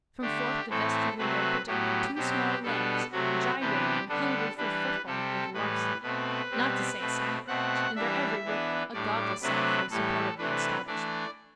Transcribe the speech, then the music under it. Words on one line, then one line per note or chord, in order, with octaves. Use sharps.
From forth the vestry window projected two small legs, gyrating, hungry for foothold, with larceny--not to say sacrilege--in their every wriggle: a godless sight for a supporter of the Establishment.
D3 A3 D4 G4
A2 E3 A3 C4 A4
C3 F#3 A3 C4 B4
A2 F#3 B3 G4
B2 F#3 C4 G4
B2 G3 B3 D4 A4
C3 F#3 A3 F#4
C3 E3 B3 D4 G4
D3 G3 B3 D4 A4
E3 G3 D4 B4
C3 G3 C4 A4
A2 E3 G3 B4
B2 A3 C4 B4
B2 G3 C4
B2 A3 C4
B2 A3 C4 F#5
E3 G3 D4 E5
E3 B3 D4
A2 G3 D4 D5
C3 F#3 A3 D4 B4
A2 E3 G3 A4
C3 E3 A3 D4 B4
E3 A3 D4 D5